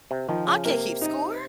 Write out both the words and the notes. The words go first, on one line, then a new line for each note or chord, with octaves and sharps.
I can't keep score.
C3
D#3 F3
C#3
C3 A#3
D#4